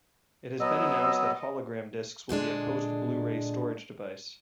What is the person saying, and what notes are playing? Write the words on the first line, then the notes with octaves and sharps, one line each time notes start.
It has been announced that hologram disks will be a post-Blu-ray storage device.
F#3 B3 D#5 E6
A#2 D3 G#3 D4